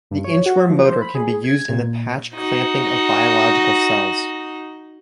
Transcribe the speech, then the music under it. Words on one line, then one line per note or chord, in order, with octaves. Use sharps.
The inchworm motor can be used in the patch clamping of biological cells.
G2
C#5
F#4
F3
C5
B5
G#4
G#6
A#2
D#4 F#4